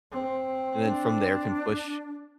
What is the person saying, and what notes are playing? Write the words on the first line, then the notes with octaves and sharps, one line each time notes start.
And then from there, can push,
C4
D4